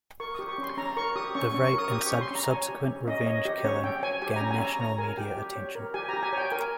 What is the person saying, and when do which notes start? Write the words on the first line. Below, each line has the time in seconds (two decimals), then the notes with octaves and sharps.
The rape and subsequent revenge killing gain national media attention.
0.20 A#4 C#6
0.35 G4 D#6
0.49 C#6
0.58 C#4
0.63 C6
0.77 C#4 A#5
0.97 A#4 C#6
1.16 G4 D#6
1.35 C#4 C#6
1.49 C#6
1.54 C#4
1.64 C#6
1.73 A#4
1.78 D#6
1.92 G4 D#6
2.07 C#6
2.12 C#4
2.21 C6
2.31 C#4 A#5
2.50 C#5 G#5
2.68 G4
2.88 C#4
3.07 C#4 D#5
3.26 C#5 D#5
3.45 G4 D#5
3.64 C#4 C#5
3.84 C#4 G5
4.03 C#5 G#5
4.22 G4 G#5
4.36 A#5
4.41 C#4
4.51 G#5
4.60 C#4 A#5
4.79 C#5 A#5
4.98 A#4 G#5
5.18 G4 G5
5.37 G4
5.56 C#5
5.75 A#4
5.94 G4 G#5
6.09 G4 A#5
6.23 G#5
6.33 C#5 G5
6.51 A#4 G#5